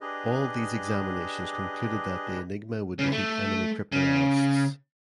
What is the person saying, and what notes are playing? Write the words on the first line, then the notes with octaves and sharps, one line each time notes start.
All these examinations concluded that the Enigma would defeat enemy cryptanalysts.
D4 G4 G#4 B4 D#5
C#3 E3
A3
C#3